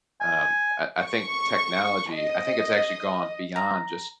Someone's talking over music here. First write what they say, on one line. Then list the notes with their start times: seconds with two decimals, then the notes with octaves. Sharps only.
Um, I I think technology I think it's actually gone beyond just
0.21 G#5
1.01 C#6
2.13 D#5
3.56 A#5